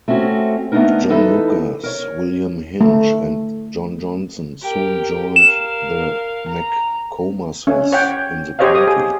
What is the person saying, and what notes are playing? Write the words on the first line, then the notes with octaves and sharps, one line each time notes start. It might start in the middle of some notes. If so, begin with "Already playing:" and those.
John Lucas, William Hinch, and John Johnson soon joined the McComases in the county.
A3 C4 C#4 F#4
A3 B3 D4 D#4 A#4
E3 D#4 A4 B4
A#4 C#5
A3
G4 A#4
A#4 F5 E7
A#5
C#4
C#5 F#5 G5
G4 C5 C#5 D#5 F5
D#6
G#4